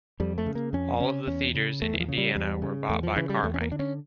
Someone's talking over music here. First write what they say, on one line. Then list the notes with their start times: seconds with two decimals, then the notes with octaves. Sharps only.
All of the theaters in Indiana were bought by Carmike.
0.20 F2 G3
0.38 A3
0.46 C#3
0.55 A#3
0.73 F2 C#4
1.00 C#3 C#4
1.27 E2 C#4
1.55 C#3
1.82 E2 A3
1.94 E3
2.00 F3
2.08 C#3
2.18 G3
2.35 E2 G3
2.62 C#3
2.89 E2 A3
3.03 F3
3.16 C#3 E3
3.29 G3
3.43 E2 A3
3.54 C#4
3.61 A#3
3.71 D3 D4
3.79 C#4